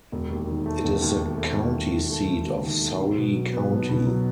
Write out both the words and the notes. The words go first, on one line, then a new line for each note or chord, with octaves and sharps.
It is the county seat of Surry County.
E1
D#2
D#3
A3
E1
D#2
D#3
A3
E1
D#2
D#3
A3
E1
D#2
D#3
A3
B1
B2
F#3
B3
B1
B2
F#3